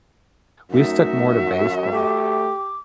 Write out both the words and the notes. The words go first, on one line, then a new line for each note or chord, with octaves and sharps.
we stuck more to baseball;
F#2 A3 D#4 F#4 E5
A3 G4 D6